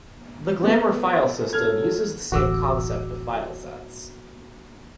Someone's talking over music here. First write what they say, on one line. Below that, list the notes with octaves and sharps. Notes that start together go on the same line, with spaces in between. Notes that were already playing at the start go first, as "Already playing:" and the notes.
The glamor filesystem uses the same concept of filesets.
A3 B3
F#2 A4 F6 G#6
D1 A1 F#2 F#4 D6 E6